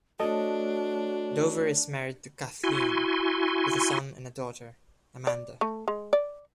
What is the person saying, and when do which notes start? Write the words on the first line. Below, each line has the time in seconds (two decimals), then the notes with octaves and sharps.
Dover is married to Kathleen, with a son and a daughter, Amanda.
0.20 A3 D4 F#4 A4 C#5 D#5
2.63 E4 F#4 G#5 C6
5.27 D5
5.61 A3
5.88 G#3
6.13 D5